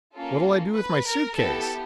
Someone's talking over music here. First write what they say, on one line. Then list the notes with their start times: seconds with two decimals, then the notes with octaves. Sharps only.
'What'll I do with my suit-case?'
0.14 A#3 C#4 F4 A4
0.76 B4
1.06 A#4
1.36 B3 E4 G4 A4